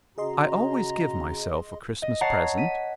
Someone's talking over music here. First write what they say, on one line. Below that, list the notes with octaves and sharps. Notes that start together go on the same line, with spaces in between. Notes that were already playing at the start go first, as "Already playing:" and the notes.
I always give myself a Christmas present.
C#3 F#4 G#4 D#5 A#5 C6
D#5
C#5 F#5 A5 A#5 C7
B6 D#7